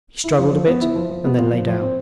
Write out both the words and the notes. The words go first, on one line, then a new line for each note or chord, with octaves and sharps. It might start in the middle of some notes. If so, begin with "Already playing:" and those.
He struggled a bit and then lay down.
E4
F3
F3
B3
E4
F3
F3
B3
F4
F3
F3
C4